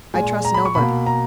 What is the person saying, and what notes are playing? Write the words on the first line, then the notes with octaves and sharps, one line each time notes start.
I trust nobody.
A#2 G#3 G#5
A#5
B5
C#6
B2 A#3 B5
A#5